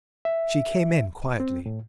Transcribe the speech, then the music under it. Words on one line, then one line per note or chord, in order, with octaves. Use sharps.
She came in quietly.
E5
C4
A2